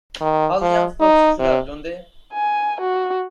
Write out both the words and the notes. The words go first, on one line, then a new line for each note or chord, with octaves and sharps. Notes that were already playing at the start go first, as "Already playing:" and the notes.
How the young folk shoot up, don't they?
D#3
F3
D#4
C3
G#5
F#4